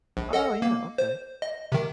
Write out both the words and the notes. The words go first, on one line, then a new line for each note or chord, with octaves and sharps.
Oh, yeah. Okay.
A#1
A4 D#5 F#5
A#3
C5
D#5
C3 D#3